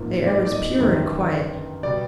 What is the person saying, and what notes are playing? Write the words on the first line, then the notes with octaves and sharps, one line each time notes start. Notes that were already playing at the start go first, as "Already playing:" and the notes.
The air was pure and quiet.
Already playing: A1 G#2 F3 A#3
D5
D5
D#5
G1 F#2 D#3 G3
B2 G3 D5